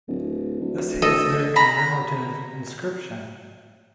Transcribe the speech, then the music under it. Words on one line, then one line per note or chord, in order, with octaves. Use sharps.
This has no commemorative inscription.
D1
D2
A4 D#5
A#5 B5